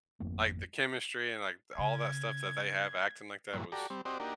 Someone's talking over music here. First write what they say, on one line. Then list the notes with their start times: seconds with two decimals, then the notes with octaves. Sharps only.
like, the chemistry and, like, th all that stuff that they have acting like that was,
0.20 G#1 F2 A3 A#3
1.78 C#3 G#6
3.53 G2 A#2 E3 F#3
3.72 F#4 G4 A4 D5 A#5
3.90 G3 C4
4.05 C4 F#4 G4 C5 D5 D#5
4.20 A#3 D4 D#4 F#4 G4 A#4